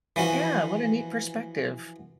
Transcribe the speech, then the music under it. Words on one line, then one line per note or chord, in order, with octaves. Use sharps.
yeah, what a neat perspective.
E3 F3 C#4 F#4